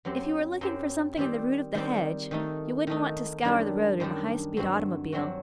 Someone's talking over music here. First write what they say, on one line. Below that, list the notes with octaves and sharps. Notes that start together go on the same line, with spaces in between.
'If you were looking for something in the root of the hedge, you wouldn't want to scour the road in a high-speed automobile.
F#2 F#3 C4 G4
F#2 F#3 C4 G4
D#3 G3 C4 G4
D#3 G3 C4 G4
D#3 A3 D#4
D#3 A3 D#4
F#2 D#3 G3 D4
F#2 D#3 G3 D4
G2 F#3 C4 F#4
G2 F#3 C4 F#4